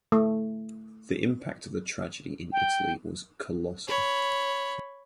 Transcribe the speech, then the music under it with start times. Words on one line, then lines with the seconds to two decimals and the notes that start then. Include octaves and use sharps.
The impact of the tragedy in Italy was colossal.
0.12 A3
2.52 G5
3.87 C#5 B5